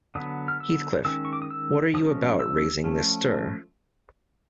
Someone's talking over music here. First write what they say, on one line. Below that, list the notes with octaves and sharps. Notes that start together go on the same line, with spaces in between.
Heathcliff, what are you about, raising this stir?
D3 F#3 B3 D#6
F6
E6
D#3 G#3 C#4 E6
C#6
D6
D#6
E6
F3 G#3 C#4 D#6
E6
F3 A3 C#4